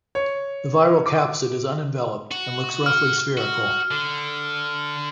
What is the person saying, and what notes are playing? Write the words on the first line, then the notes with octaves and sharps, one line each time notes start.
The viral capsid is unenveloped and looks roughly spherical.
C#5
D6
F#4
F6
F#4
D3